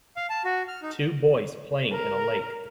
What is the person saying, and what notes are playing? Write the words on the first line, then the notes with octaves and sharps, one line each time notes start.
Two boys playing in a lake.
F5
A5
F#4
F6
D#4
A#4